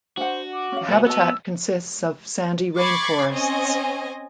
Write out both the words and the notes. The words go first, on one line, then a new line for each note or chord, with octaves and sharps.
The habitat consists of sandy rainforests.
D4 F#4 C5 F#5
D6
C#4 F5
A#2 F#4 B4 C5 E5 G#5
B3 F#4 D#5 A5 E6
B5 C#6 D6 G#6 A6 C7
C4 C#4 D#5 G#5